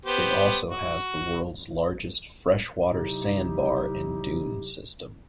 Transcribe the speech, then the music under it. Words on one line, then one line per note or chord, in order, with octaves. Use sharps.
It also has the world's largest fresh water sand bar and dune system.
B3 G4 C5
F#4
C3 F#3 D#4 E4 G4